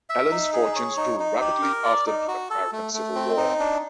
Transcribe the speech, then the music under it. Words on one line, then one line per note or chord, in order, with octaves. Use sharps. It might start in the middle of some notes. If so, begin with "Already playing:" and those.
Allen's fortunes grew rapidly after the American Civil War.
E5
D#4
G#4
C#5
D#4
D#4
G4
A#4
D5
D#4
F#4
A4
A3
A3
C4
D#4
D4